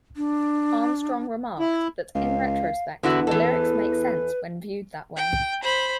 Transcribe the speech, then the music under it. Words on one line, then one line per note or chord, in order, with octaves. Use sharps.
Armstrong remarked that, in retrospect, the lyrics make sense when viewed that way.
D4
E4
C#2 F5
E2 D3 E4 F#4 B4
E3 A4
G5
C5 B5